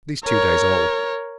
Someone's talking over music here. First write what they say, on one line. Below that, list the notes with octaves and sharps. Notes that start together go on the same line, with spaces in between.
It was at least two days old.
A#4 C#5